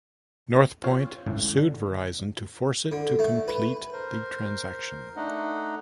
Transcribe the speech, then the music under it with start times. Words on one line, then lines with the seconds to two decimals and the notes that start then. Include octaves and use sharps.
Northpoint sued Verizon to force it to complete the transaction.
0.84 C4 F4 C5 C#5 F5 G5
1.26 G#1 C#2 A2
1.58 D3
2.92 D3
3.19 A3
3.48 B4
3.93 A#4 C5
5.16 A3 D4 D#4 D#5 F#5